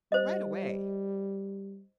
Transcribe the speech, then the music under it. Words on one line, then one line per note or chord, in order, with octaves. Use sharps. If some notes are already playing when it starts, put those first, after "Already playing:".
"Right away."
G3 C5 D#5